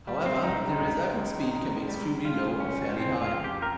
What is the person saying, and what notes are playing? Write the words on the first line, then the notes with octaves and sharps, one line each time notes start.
However, the resulting speed can be extremely low or fairly high.
G3
C4
C#2 D#4
D#4
C#2
C#2
C#3
G3
C#3 F4
C#2 C#4
F2 C4
F4
F2
G4
A#4